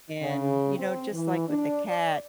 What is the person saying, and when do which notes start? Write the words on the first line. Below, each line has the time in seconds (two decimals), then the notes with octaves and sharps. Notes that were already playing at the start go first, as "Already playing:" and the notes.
and, you know, just like with the cat,
0.20 C#3
0.76 C4
1.12 E3
1.48 D4
1.86 D5